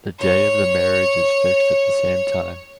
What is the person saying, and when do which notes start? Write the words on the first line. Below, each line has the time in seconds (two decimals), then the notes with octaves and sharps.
The day of the marriage is fixed at the same time.
0.20 C#5